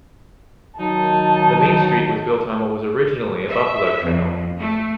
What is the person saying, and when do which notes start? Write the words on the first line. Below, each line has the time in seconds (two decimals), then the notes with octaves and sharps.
The main street was built on what was originally a buffalo trail.
0.80 D#3 F#3 D#4 A5
3.48 E5
4.03 F2
4.59 A3